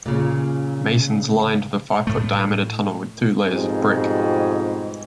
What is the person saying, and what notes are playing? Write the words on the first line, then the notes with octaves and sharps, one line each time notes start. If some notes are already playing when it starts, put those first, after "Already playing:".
Masons lined the five-foot-diameter tunnel with two layers of brick.
A#2 C#3
A2 A3
F2 G#2 B2 G3 C4